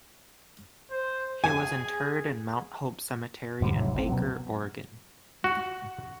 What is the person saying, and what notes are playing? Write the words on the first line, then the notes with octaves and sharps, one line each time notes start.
He was interred in Mount Hope Cemetery in Baker, Oregon.
C5
G#4 G#5
E1 G#2 D3 G3
G#2 C3 F#3
G1 C#2 C4
B2 F#3
F#4